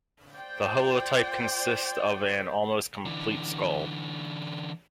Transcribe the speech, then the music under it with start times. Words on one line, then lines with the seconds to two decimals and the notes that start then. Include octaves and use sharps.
The holotype consists of an almost complete skull.
0.34 F4 C5 D5 G5
3.05 D3 E3